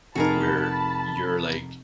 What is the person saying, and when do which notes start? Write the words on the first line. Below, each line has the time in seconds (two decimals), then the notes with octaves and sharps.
where you're, like,
0.15 F1 D#4 F#4 G#4 A#4 A5 B5